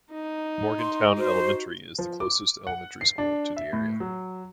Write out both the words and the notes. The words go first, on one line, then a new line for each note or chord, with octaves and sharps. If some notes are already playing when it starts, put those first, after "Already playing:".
Morgantown Elementary is the closest elementary school to the area.
D#4
C6
F#4 C5
F3
D6
F#5
C7
D4
E5
A2
F#3